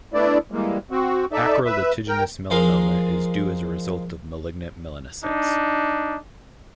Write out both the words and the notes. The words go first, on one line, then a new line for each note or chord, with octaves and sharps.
Acral lentiginous melanoma is due as a result of malignant melanocytes.
A3 B3 D4 E4 D5
E3 G3 G#3 A#3
C4 F#4
D#4 A4 D5 E5
B4 E5
A#4 G5
F3 G#3 A#3 F5
D4 D#4